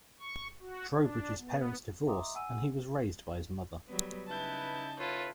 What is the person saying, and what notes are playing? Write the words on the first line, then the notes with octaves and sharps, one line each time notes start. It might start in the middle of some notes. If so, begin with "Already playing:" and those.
Trowbridge's parents divorced, and he was raised by his mother.
C#6
F#4
D4
B3
D#5 E5 A#5 C6 D6 D#6
F#5 G#5 E6 D#7
F#3 G3 B3
C#3 D#4 E4 B4 A5 G6
E4 F4 A4 B4 C#5